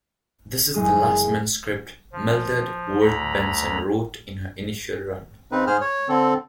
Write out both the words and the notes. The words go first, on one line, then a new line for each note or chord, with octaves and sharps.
This is the last manuscript Mildred Wirt Benson wrote in her initial run.
F#1 G#3 G#4 D#6
F3
D2 A#5 B5
C#3 C4 D#4 B4
G#2 G#4 C5 F6
C#5
D3 C4 A4